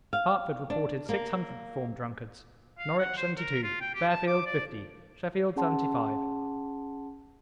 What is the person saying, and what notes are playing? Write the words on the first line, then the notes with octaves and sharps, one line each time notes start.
Hartford reported six hundred reformed drunkards; Norwich, seventy-two; Fairfield, fifty; Sheffield, seventy-five.
F5
D4
A#3
F5
F#5
C5
A#4
F4
G5
G4
A5
D6
D5
C#4 G#4 F#5 A5 C6